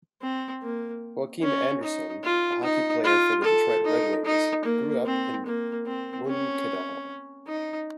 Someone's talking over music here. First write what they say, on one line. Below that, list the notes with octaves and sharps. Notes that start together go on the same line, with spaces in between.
Joakim Andersson, a hockey player for the Detroit Redwings, grew up in Munkedal.
C4
A#3
C#4
D#4
F4
D#4
F4
A4
D#4
D#4
A#3
C4
A#3
C4
C#4
D#4